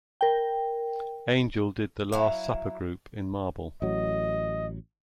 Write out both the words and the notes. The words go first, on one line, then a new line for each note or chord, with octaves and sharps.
Angel did the Last Supper group in marble.
A#4 G5
F#3 E4 F5
A1 F#3 D#5